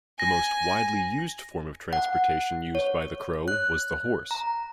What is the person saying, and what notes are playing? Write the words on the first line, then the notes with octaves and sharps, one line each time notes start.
The most widely used form of transportation used by the Crow was the horse.
G#5 A#6
F#5
C#5
F#6
A#5